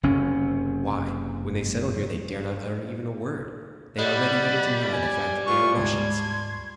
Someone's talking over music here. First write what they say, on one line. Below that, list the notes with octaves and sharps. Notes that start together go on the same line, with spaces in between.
Why, when they settle here they dare not utter even a word--they are ready even to deny the fact that they are Russians!
F#1 F#2 C3 C#4
G3 D#5 F#5 B5 A6
G#5
F4 B4 C#6
D2 G#2 A5 C6 G#6